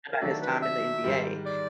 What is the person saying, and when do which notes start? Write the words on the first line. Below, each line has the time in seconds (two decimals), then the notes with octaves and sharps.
about his time in the NBA,
0.12 A#4
0.21 D#3 F#3 A3 D4 F#4 A4
0.42 B4
0.62 E5
1.04 G#2 D#3 G3
1.46 D5